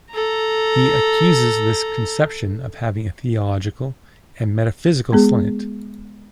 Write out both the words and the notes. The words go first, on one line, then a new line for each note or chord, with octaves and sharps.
He accuses this conception of having a theological and metaphysical slant.
A4 A#5
G#3 B3 G#4